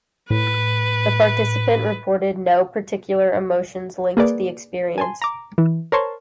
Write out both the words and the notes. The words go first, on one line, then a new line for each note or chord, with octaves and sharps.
The participant reported no particular emotions linked to the experience.
A2 B4
A#3 G#4 B4 D5
G#5 A5 C6
A#5 D6
E3
A#4 C5 C#5 A5 C6 C#6